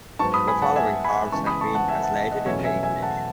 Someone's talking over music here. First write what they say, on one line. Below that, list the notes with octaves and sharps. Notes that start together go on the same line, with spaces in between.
The following parts have been translated into English.
G#2 F#3 B3 A5 C#6
B5 D#6
G#5 B5
F#5 A5
E5 G#5
G#5 B5
C#3 E3 G#3 B3 A5 C#6
B5 D#6
A5 C#6
F#5 A5
E5 G#5
F#5 A5
D#5 F#5
E2 B2 F#3 A3 C#4 C#5 E5
E5 G#5
E5 G#5
F#5 A5